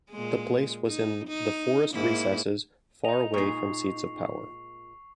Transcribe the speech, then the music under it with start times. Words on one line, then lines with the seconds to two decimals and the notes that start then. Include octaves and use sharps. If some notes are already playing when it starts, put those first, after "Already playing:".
The place was in the forest recesses far away from seats of power.
0.10 A#2 G#3
0.86 D#4
1.28 D#4
1.93 G#2 A#3 E4
3.05 D#5 A#5 F7
3.34 A#2 G#3 D#4 C#6 C7